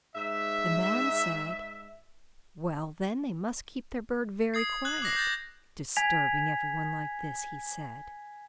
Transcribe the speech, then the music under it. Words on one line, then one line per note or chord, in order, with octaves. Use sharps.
The man said well, then, they must keep their bird very quiet. 'Disturbing every one like this,' he said.
G#2 E5
D#6 G#6 C7
F#6 G#6 F#7
D6 D#6 A#6 C7
G6 A6
G#5 G#6 B6 F7